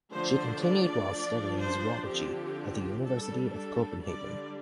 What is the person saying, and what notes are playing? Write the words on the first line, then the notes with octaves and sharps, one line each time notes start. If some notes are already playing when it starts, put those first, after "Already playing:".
She continued while studying zoology at the University of Copenhagen.
D3 F3 A3 D4 C5
D5
F3 D4
C5
D3 F3 C4 G4
G3 D4 A4
A4
D3 G3 D4 D5